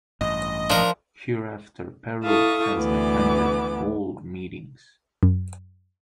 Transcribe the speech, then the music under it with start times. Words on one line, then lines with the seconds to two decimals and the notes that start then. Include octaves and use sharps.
Hereafter Peru has attended all meetings.
0.21 A1 G2 D#5
0.70 F3 D4 A#4
2.22 E4 A4 F5 C#6 D#6
2.75 D2 E3 B3 D6
5.23 F#2